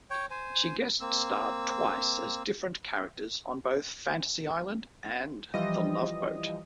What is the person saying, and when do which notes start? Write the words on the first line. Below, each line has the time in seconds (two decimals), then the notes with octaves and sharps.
She guest-starred twice as different characters on both "Fantasy Island" and "The Love Boat".
0.10 C#5 G5
0.30 C5 G#5
1.00 A#3 C4 E6
5.54 E3 F3 G3 D#5